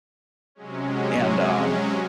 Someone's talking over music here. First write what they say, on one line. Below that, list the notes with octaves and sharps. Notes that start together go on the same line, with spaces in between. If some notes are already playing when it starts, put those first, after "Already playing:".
and, um,
C3 F#3 G#3 C#4